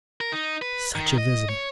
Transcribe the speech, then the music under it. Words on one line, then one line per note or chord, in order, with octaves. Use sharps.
Such a visitor!
A#4
D#4
B4
D#3
D#5
C#5